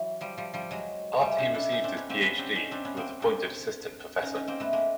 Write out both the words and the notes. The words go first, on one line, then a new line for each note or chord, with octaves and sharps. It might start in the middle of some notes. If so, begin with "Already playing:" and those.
After he received his PhD, he was appointed assistant professor.
Already playing: E3 F#3
F3 G3
F3 G3
F3 G3
F#3 G#3
G3 A3
C#4 D#4
D4 E4
C#4 D#4
C4 D4
B3 C#4
A#3 C4
B3 C#4
C4 D4
C#4 D#4
C4 D4
B3 C#4
A#3 C4
C4 D4
C#4 D#4
C#4 D#4
A#3 C4
A3 B3
G#3 A#3